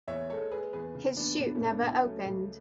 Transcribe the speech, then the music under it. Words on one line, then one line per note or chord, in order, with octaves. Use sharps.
His chute never opened.
E2 C#5 E5
G#3 A4 C#5
G#3 G#4 B4
E2 G#4 B4
C#3
E2 B3 D4
C#2 B3 D4
A3 C#4
C#2
B3 D4
C#2
C#4 E4
F#3 A3 C#4
C#2